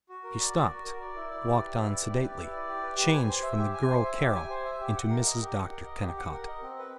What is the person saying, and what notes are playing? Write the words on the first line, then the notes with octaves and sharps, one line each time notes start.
She stopped, walked on sedately, changed from the girl Carol into Mrs. Dr. Kennicott.
F#4
A#4
D5
F#4
F#4
A#4
D5
E4
D5
G4
B4
E4
D5
G4
B4
E4
D5
G4
B4
G4
G#5
C5
E5
G4
G#5
C5
E5
G4
G#5
C5
E5
G4
F#5
A#4
D#5
G4
F#5
A#4
D#5
G4
F#5
A#4
D#5
C4
B4